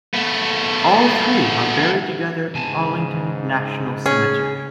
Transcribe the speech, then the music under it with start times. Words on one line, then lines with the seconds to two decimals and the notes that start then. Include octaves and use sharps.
All three are buried together in Arlington National Cemetery.
0.14 A3 B3
2.55 G#2 C#3 G#5 A5
4.06 C#4 G#4